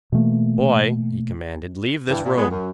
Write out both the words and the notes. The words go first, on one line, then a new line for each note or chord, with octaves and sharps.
"Boy," he commanded, "leave this room!"
B2 E3 A3 A#3
G2 D3 E3
A#2
G#3 B3
F#2